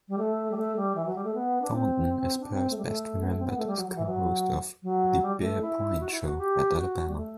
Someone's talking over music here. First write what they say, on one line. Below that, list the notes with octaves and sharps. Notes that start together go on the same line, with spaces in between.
Thornton is perhaps best remembered as co-host of "The Bear Bryant Show" at Alabama.
G3
A3
G3
A3
G3
E3
F#3
G3
A3
B3
D4
C4
D4
C4
A3
G3
A3
B3
A3
C4
B3
A3
G3
F#3
F#3
E3
F#3
F#3
G3
G3
A3
E4
F#4
E4
F#4
G4
F#4
G3
A3